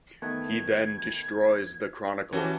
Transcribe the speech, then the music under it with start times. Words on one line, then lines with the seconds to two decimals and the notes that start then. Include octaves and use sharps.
He then destroys the Chronicle.
0.22 D#3 A3 B3 G#6
2.33 E3 C#4 F#4 G4 G#5 A5 D6